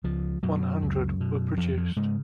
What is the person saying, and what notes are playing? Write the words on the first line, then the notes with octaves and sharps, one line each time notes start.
One hundred were produced.
C#2 F3
F#2 B2 F#3
C#2
B2
F2 F3
F3
G#2 C#3 G#3